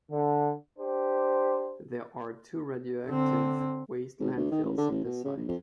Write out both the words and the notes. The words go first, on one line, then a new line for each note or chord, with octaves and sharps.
There are two radioactive waste landfills at the site.
D3
D4 G4 C5
D3 C4
G#1
D2
D#3
A1
D3
A1
B2
C#3
A#1
F2